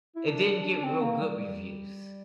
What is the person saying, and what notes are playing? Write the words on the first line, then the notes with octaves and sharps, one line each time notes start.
It didn't get real good reviews.
E4
D4
D4
D4
C4
A#3
G3
G3